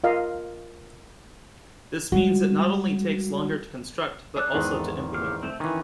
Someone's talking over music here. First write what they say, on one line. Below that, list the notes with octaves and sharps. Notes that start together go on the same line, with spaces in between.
This means it not only takes longer to construct, but also to implement.
F4 A#4 D#5 F5
G3 G#3 F#4
G#4 A4 D5 F#6
E2 G#2 D#3
C#3 G4 F5
A3 C4
D#3 E3 C#4 G#5